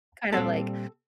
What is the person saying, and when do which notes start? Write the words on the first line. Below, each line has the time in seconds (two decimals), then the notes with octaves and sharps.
Kind of like,
0.33 A#2 G3 C4 A4